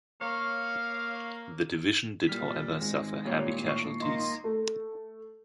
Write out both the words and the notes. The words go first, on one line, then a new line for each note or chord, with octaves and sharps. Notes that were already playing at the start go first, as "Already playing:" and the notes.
The division did however suffer heavy casualties.
A#3 C#5 F5
A#2 G3 F6 B6
G#1 G#2 G#3
A#2 G3 C#5
A2 C#6 C7
A#3 D#4 D#5 C6
A3